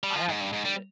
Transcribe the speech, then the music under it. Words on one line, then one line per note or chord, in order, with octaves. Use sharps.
I have to quit.”
G3
F3
G#2
G2
G#2
G3